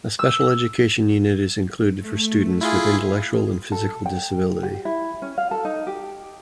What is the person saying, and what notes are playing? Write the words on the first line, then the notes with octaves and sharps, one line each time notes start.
A special education unit is included for students with intellectual and physical disability.
E6
A3
E4 F4 G#4
A4
G5
G4
E4
C#4
F5
A4
D#4
G4